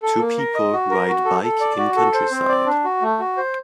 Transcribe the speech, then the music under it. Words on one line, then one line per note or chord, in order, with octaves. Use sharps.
Two people ride bike in countryside.
A4
A#3
A#4
D#5
F#4
A#4
F#4
A4
A4
D5
F#4
A4
C5
C4
D5
D4
F#4
A3
F#4
C5